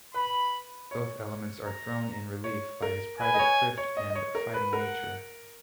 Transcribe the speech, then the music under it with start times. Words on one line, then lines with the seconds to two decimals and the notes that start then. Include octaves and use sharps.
Both elements are thrown in relief by his private thrift and fighting nature.
0.14 B4 B5
0.91 C#5
1.67 A#5
2.44 C#5
2.82 A#4
3.20 B4 G#5
3.34 D#5
3.39 C#5
3.78 C#5
3.97 D#5
4.10 D#5
4.15 C#5
4.35 A#4
4.54 B4
4.73 A#4 F#5